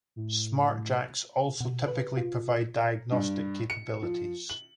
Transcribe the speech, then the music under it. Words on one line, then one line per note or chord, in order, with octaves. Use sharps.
Smartjacks also typically provide diagnostic capabilities.
A2
B2
B4
F4
G2
C#7
F3
F#7